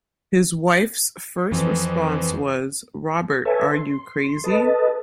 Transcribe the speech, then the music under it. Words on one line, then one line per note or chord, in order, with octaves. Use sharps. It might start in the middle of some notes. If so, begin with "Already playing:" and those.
His wife's first response was, Robert, are you crazy?
F2 E3 F3
A4 B4 C#5 E5 G#5 A5
C6
A4 B4 D#5 A5